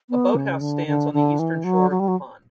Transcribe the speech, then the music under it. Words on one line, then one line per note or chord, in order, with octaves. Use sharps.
A boat house stands on the eastern shore of the pond.
B3
C#3
D3
D3
D3
E3
F#3
F#3
G3
F#3